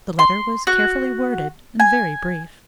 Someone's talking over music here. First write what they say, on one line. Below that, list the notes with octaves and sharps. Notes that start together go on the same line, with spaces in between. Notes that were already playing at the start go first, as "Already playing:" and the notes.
The letter was carefully worded, and very brief.
C6
F#4
G#5